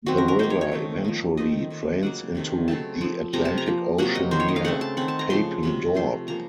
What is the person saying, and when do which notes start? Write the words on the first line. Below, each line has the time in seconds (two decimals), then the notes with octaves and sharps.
The river eventually drains into the Atlantic Ocean near Papendorp.
0.06 D#3 F#3 C4 F#4
0.18 A#4
0.28 A#4
0.39 D#3 A#3 C5
0.50 C#5
0.61 C#5
0.72 D#3 A3 C4
1.04 F3 A#3
1.37 D#3 A3 C4 D#5
1.70 D#3 A#3
2.03 C#3 F#3 A#3 F#5
2.35 C3 D#3 A3
2.68 C#3 F#3 A3 C4 A5
3.01 F3 C4
3.33 C3 F3 A3 A#5
3.45 A5
3.58 A#5
3.66 F3 A#3
3.98 C3 F#3 A#3 F#5
4.15 D#5
4.31 D#3 A#3 C5
4.40 C#5
4.48 D#5
4.56 F5
4.65 C#3 A3 C4 F#5
4.81 A5
4.97 D#3 A3 C4 F#5
5.08 A5
5.19 A#5
5.30 C#3 F3 A3 C4 C6
5.63 C3 D#3 F#3 A#3
5.95 F3 A3 C4 C6
6.28 C#3 F3 A#3 A#5